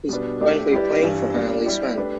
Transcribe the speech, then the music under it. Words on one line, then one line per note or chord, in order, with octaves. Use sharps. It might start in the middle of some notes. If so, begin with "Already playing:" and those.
He is currently playing for Hanley Swan.
B2 G3 D4 B4
A3 D4 G4 E5
G3 E4 G4 B4 D5
G2 E3 G3
G3 B3 D4
G3 E4 G4 D5
A3 D4 G4 B4